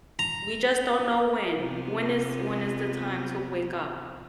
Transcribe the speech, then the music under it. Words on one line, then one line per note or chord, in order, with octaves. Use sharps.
We just don't know when, when is, when is the time to wake up?
A#5
C3 F3 B3